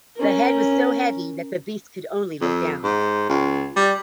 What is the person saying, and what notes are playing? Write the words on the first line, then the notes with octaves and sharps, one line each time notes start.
The head was so heavy that the beast could only look down.
C#4 A#4
F2
G#2
C#2
G3